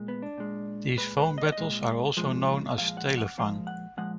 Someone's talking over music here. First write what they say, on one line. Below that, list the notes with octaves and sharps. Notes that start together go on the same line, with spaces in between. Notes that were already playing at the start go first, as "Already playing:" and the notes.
These phone battles are also known as Telefang.
Already playing: A#2 G#3
B3
D4
A#2 G#3
A#2 G#3 B4
B4
D#5
D5
D#5
A#2 G#3
A#2 F3 G#3
A#2 F3 G#3 F5
F#5
F#5
A#2 F3 G#3 F5
F#5
A#2 F3 G#3 F#5